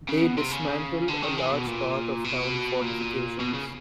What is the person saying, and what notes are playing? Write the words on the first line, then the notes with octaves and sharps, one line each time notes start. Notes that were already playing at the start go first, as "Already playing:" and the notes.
They dismantled a large part of town fortifications.
C#3
B2
C3
C#3
D3
D#3
E3
B2
A#2
B2
A#2
B2
C#3